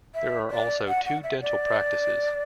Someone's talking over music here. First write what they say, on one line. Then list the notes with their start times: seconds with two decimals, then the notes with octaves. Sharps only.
There are also two dental practices.
0.15 E5
0.51 D5
0.88 F#5
1.05 F#5
1.24 E5
1.42 D5